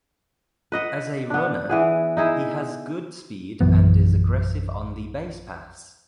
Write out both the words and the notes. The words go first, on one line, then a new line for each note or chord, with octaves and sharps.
As a runner, he has good speed and is aggressive on the basepaths.
B4 D#5 F#5
B3 D4
E3 B3 G#4
D#4 E4 G#4 E5
A#1 F#2 E3 B3